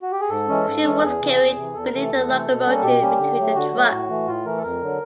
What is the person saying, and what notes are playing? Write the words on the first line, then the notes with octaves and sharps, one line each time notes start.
Fuel was carried beneath the locomotive between the trucks.
F#4
G4
G#4
G#2 A4
E3 G#3 C#4
G#2
E3 G#3 C#4
E2 G#4
C3 E3
E2
C3 E3
E2 A4
A#4
C3 E3 A3 A4
E2
C3 E3 A3
B2
G3 A#3 C#4
B2 G4
G3 A#3 C#4
D3
F#3 A3
D3 F#4
F#3 A3
A2
E3 A3
A2 F4
E3 A3 A#4
A4
F2 A#4
D3 F#3